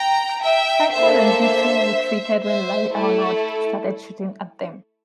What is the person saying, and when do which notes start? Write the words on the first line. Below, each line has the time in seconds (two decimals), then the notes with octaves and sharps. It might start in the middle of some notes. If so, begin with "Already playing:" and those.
Cyclone and Beetle retreated when Larry Arnold started shooting at them.
Already playing: G5 A#5
0.42 E5 G5
0.92 A#3 D4 A4 C5 E5
2.43 C5 E5
2.94 A3 E4 A4